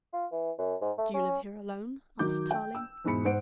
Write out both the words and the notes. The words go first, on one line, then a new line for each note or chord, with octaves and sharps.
"Do you live here alone?" asked Tarling.
F4
E3
F#2
G#2
A3
C#4
D#3 F#3 D6 G6
G5
E6
E2 G#2 B2 G#3 B5 C#7
G#2 C5 F#5 D7